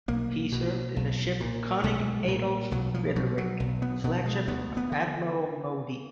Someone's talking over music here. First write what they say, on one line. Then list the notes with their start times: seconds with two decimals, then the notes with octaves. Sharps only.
He served in the ship "Konig Adolf Frederic", the flagship of Admiral Modee.
0.08 B1 A#3
0.52 B2
0.96 B1
1.40 A#2
1.84 B1 G#3
2.28 A#2
2.71 B1 F#3
2.94 F3
3.16 B2 F#3
3.38 F#3
3.60 B1
3.82 B3
4.04 B2 B3
4.26 G#3
4.48 D2 B3
4.77 B3
4.92 D3